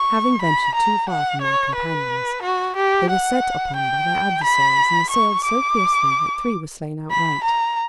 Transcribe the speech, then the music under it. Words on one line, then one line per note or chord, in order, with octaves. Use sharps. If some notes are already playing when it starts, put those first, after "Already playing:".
Having ventured too far from their companions, they were set upon by their adversaries, and assailed so fiercely that three were slain outright.
Already playing: C#6
B5
A#5
F#5
C#5
B4
F#4
G4
F#5
G5
B5
C#6
D6
B5
A#5